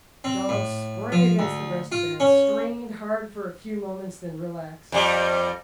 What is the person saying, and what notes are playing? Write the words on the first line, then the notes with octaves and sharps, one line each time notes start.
The dogs sprang against the breast-bands, strained hard for a few moments, then relaxed.
C4
A2
F3
D2
F4
C#4
F2 G3